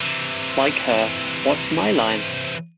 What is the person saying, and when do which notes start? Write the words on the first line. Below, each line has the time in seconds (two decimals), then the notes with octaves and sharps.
Like her What's My Line?
0.01 C3 E3